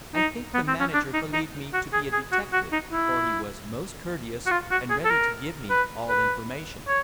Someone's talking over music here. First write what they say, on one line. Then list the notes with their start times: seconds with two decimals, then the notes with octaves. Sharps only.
I think the manager believed me to be a detective, for he was most courteous, and ready to give me all information.
0.14 D#4
0.54 B3
0.68 C4
0.80 C#4
0.94 D4
1.13 D#4
1.33 D#4
1.73 F#4
1.93 G#4
2.13 G#4
2.32 F#4
2.53 F#4
2.72 D#4
2.92 E4
4.46 F#4
4.51 F4
4.71 F#4
4.90 G#4
5.05 A4
5.11 A#4
5.70 B4
6.09 B4
6.88 C#5